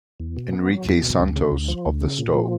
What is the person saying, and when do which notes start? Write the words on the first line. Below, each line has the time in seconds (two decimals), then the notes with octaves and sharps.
Enrique Santos, of the Sto.
0.20 E2
0.37 B2
0.53 B3
0.69 F#3
0.85 E2
1.02 B2
1.20 D2
1.36 C#3
1.52 D2
1.68 F3
1.85 D2
2.01 C#3
2.19 A#2
2.34 F3